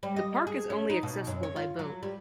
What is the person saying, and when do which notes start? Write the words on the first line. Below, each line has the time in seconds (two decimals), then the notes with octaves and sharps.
The park is only accessible by boat.
0.03 G3
0.16 D#5
0.47 G#4
0.70 C#4
0.90 D#4
1.03 B2
1.27 F#2
1.43 C#5
1.56 F4
1.79 F#3
2.03 G3